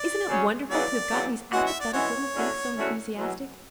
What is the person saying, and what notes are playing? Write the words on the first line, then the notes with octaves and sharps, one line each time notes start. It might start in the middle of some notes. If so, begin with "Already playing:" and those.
Isn't it wonderful to have got these apathetic little things so enthusiastic?
Already playing: D5
C#3 F#3 C#4
E2 C#3 F#3 B3 D5
E2 C#3 F#3 B3
E3 G#3 C#4 F#4 F#5
E5
D5
E3 G#3 C#4 F#4 C#5
E2 D3 A3 C#4 F#4
E2 D3 A3 C#4 F#4
E2 B2 F#3